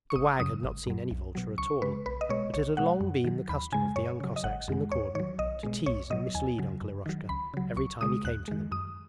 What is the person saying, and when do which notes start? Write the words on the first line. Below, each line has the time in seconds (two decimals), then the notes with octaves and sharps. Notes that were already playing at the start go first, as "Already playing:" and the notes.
The wag had not seen any vulture at all, but it had long been the custom of the young Cossacks in the cordon to tease and mislead Uncle Eroshka every time he came to them.
0.10 C#6
0.16 G#1 D#6
0.39 F#2 C#3 F#3 D#6
0.63 G#1
0.87 F#2 F#3
1.11 B1
1.35 B2 F#3
1.58 C#2 C#6
1.82 C#3 G#3 B4
2.06 B1 B4
2.21 D#5
2.29 B2 G#3 C#5
2.53 B1 C#5
2.77 B2 G#3 F#5
3.01 F#2
3.24 D#3 F#3
3.49 D#2 B5
3.72 C#3 G#3 G#5
3.96 F#2 C#5
4.20 C#3 F#3
4.36 D#5
4.44 G#1 F#5
4.68 F#2 D#3 G#3
4.92 D#2 C#5
5.15 D#3 F#3 C#5
5.38 B1 D#5
5.63 B2 G#3
5.86 B1 C#5
6.10 B2 F#3 D#5
6.34 D#2 G#5
6.58 C#3 F#3
6.81 F#2
7.06 D#3 F#3
7.29 C#2 B5
7.54 C#3 F#3
7.76 C#2 C#6
8.01 C#3 G#3 D#6
8.24 D#2 F#6
8.48 D#3 G#3
8.71 F#2 D#6